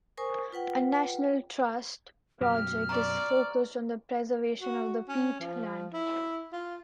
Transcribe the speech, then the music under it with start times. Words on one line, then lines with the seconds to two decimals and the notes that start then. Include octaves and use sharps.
A National Trust project is focused on the preservation of the peatland.
0.17 A#4 C5 G#5 C#6 D#6
0.52 F4 B4 F#5 G5
2.42 F#2 B2 G4 F6
2.89 D5 A#5 C#6
4.61 F#4
5.09 C#4
5.40 F3
5.94 E4
6.53 F4